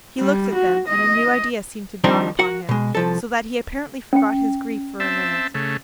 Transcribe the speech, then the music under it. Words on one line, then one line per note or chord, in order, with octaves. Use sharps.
He looked at them and a new idea seemed to dawn upon him, so that he apparently forgot his grief for a minute.
G3
F#4
D#5
D#3 F3 G3 C4 D4 D#4
F#4 A#4 F#5
B2 G#3
C2 F3 A4
C#4 G5
C4 E5 A5
C#3 A3